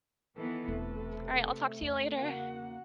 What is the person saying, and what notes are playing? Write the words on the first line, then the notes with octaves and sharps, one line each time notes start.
Alright, I'll talk to you later.
D#3 E3 B3 A4 B4
E1 C3 A3
E2 C#5
C#3 A#3 F#4 F#5